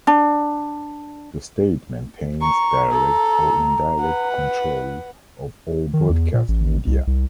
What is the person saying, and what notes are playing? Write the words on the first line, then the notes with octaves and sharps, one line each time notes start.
The state maintains direct or indirect control of all broadcast media.
D4
A#5 C#6
A4
B4 F#5
D#3
E2
A#2
A1
C2
C2